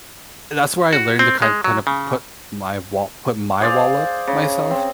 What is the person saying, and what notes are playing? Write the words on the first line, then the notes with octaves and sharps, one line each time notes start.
eh that's where I learned to kind of put up put my wall put my wall up myself
F#4
C4
G#3
F#3
C#3
G#4 C5 D5 F5
C#3
C4